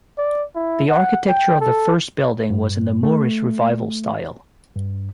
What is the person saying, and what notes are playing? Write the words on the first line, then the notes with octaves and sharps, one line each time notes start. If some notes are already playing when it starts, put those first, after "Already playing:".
The architecture of the first building was in the Moorish Revival style.
D5
E4
F#5
G5
A4
G2
A3
G2